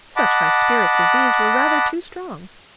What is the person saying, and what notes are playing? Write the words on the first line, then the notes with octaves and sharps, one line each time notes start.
Such high spirits as these were rather too strong.
D#5 F#5 A5 B5 D6